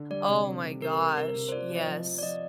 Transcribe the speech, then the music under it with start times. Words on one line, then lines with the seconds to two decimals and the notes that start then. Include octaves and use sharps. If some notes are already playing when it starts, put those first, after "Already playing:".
Oh my gosh. Yes.
Already playing: D3
0.10 G3 D5
0.28 C3
0.46 C3
0.64 C3
0.82 C3 A#4
1.00 C3
1.17 C3 A#4
1.35 C3
1.49 C5
1.52 F4 D5
1.70 F3
1.76 D#5
1.88 F3
2.06 F3
2.18 D5
2.23 F3 D#5